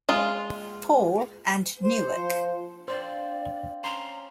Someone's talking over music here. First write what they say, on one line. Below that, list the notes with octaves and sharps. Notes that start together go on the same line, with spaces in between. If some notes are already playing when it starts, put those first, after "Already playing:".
Paul, and Newark.
G#3 F4
C5
F3
C4 D4 F4 C5 D5
C#4 A#5 C6